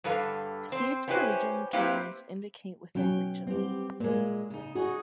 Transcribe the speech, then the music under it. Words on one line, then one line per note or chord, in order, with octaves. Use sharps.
Seeds for regional tournaments indicate seeds within regional.
G2 D3 A4 B4 F5
C4 C5
B3 C#4 E4 G4 B4 C5
A#3 C4 E4 G4 B4
B2 F#3 C#4 G5
G3 B3 C4 G4
A#2 G#3 A#3
C#3 D#4
D#4 F#4 G#4